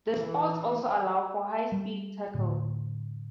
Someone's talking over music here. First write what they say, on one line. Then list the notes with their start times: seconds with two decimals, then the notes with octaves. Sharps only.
The spouts also allow for high-speed tackles.
0.13 E3
1.72 G3
2.35 A2 D3